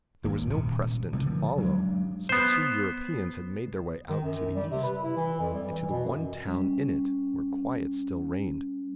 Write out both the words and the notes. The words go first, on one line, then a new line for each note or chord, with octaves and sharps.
There was no precedent to follow; so the two Europeans had made their way out to the East, and to the one town in it where quiet still reigned.
G#1 A#3
D#1 C3
C3 G3 A3
D3 F3
F#3 G#3 B3 D4
B3 C5
D#3
F#2
G3
C3
B4
E4
E3
F2
G3
E3
B2
F#2
G3 C#4